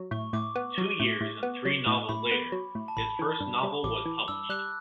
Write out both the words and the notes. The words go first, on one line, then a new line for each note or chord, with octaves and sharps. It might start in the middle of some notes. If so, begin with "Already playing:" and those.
Two years and three novels later his first novel was published.
Already playing: F#3
A2 C#6
A2 D6
B3
F#3
A2
A2
B3
F#3
A2
A2 B5
B3
F#3
A2
A5
A1 B5
E3
G2
G3
A1 D6
E3
G2 E6
G3 F#6